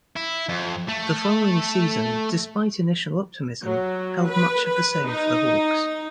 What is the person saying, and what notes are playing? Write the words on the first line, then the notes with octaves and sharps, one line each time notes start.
The following season, despite initial optimism, held much of the same for the Hawks.
E4
F2
A3
F#3
B4
B4
D#4